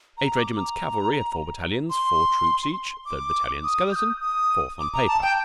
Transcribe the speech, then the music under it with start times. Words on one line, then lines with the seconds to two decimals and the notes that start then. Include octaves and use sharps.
Eight regiments cavalry at four battalions, four troops each; third battalion, skeleton; fourth on paper.
0.18 A#5
0.37 D6
0.56 A#5
1.90 C6
3.06 D6
3.63 D#6
3.92 G6
3.96 D#6
4.21 D#6
4.79 D6
4.93 A#5
5.07 A5
5.22 G5